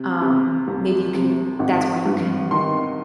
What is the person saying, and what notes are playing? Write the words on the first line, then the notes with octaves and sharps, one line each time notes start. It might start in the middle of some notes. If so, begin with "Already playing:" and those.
Um, maybe you can that's when you can
Already playing: C3
C3
C2
C3
G#1
G2
D#3 C6